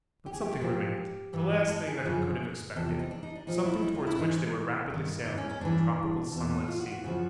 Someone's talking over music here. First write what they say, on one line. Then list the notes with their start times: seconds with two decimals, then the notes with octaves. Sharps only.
But something remained--the last thing that he could have expected--something towards which they were rapidly sailing over the tropical, sunlit sea.
0.26 G4
0.33 G#4
0.41 G4
0.61 A#2 F3
1.33 G2 E3
1.69 A4
1.87 G#4
2.04 F#2 C#3 F3
2.75 E2 C3 F3 A4
2.99 D#4
3.11 D4
3.23 D#4
3.35 D4
3.47 A#2 F3 D#4
3.65 E4
3.83 D#4
3.95 F4
4.07 E4
4.19 G#2 E3 D#4
4.90 G2 D#3
5.26 D#4
5.38 C#4
5.50 C#4
5.61 G2 E3 D4
6.32 E2 B2
6.51 D#4
6.68 F4
6.80 F#4
6.92 F#4
7.04 F#2 C#3 F3 F#4